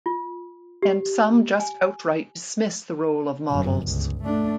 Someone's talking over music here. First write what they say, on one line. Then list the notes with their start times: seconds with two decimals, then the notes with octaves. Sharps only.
And some just outright dismiss the role of models.
0.06 F4
0.82 G4
1.60 G#5
3.51 G1 F#2
3.90 C#2
4.24 A3 D4